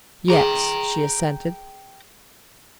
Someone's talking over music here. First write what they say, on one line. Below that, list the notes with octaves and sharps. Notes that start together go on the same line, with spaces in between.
"Yes," she assented.
G#4 G5 A#5